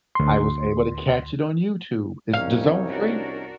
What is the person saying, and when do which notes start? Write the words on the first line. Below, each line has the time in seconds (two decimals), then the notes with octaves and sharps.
I was able to catch it on YouTube. Is DAZN free?
0.15 D2 C6
2.33 C2 F2 C#4 D#4 C#5 F5
2.87 D4 F#4 A#4